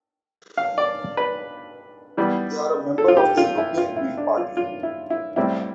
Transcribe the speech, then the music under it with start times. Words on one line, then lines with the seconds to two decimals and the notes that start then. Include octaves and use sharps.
They are a member of the European Green party.
0.57 F5
0.78 D5
1.17 B4
2.17 E3 G3 B3
2.98 A4
3.08 F4
3.17 G4
3.37 F4
3.58 E4
3.78 F4
3.97 E4
4.17 D4
4.37 F4
4.57 F4
4.83 E4
5.10 E4
5.36 A2 G3 C4 E4